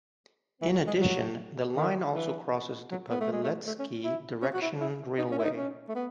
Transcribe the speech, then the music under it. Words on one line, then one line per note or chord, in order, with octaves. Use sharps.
In addition the line also crosses the Paveletsky direction railway.
E3
F#3
G#3
F#3
D#3
E3
F#3
B3
A3
G#3
A3
A3
C#4
E4
C#4
F#4
E4
E4
D#4
C#4
E4
D#4
C#4
A3
B3